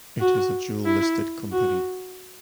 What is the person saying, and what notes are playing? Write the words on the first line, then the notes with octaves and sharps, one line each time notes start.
It is a dual-listed company.
F#4
E4
F#4